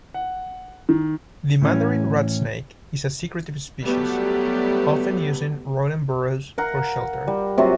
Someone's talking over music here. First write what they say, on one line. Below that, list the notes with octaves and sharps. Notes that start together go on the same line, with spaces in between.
The Mandarin rat snake is a secretive species, often using rodent burrows for shelter.
F#5
D#3
A2 E3 C#4
F#3 G3 A3 B3 G4
A#4 F5 F#5 A#5
G3
C3 F#3 F4 F#4